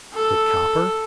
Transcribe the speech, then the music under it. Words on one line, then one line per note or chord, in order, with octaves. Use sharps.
"Is it copper?"
A4